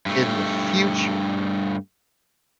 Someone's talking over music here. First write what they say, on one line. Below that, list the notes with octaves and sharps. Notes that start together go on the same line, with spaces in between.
in the future
G2 A3